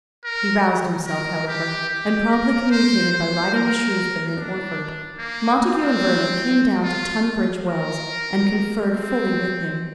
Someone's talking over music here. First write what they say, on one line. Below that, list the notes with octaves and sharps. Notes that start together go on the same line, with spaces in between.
He roused himself, however, and promptly communicated by writing with Shrewsbury and Orford. Montague and Vernon came down to Tunbridge Wells, and conferred fully with him.
A#4
A#4
G4
G4
A#4
C5
C5
A#4
D4
A#3
C4
F4
A#4
C4